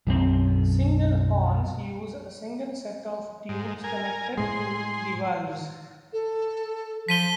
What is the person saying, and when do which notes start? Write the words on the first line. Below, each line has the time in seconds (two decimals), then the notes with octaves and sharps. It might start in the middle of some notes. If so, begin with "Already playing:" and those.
Single horns use a single set of tubes connected to the valves.
0.07 B1 F#2 F3 C4
3.49 G#2
3.84 A#4 G#5
4.38 A2 G#3 G#4 C6
6.13 A4
7.09 F3 B6 D#7 G7